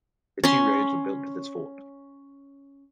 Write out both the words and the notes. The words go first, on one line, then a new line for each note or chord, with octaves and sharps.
Two roads were built to this fort.
C#4 C6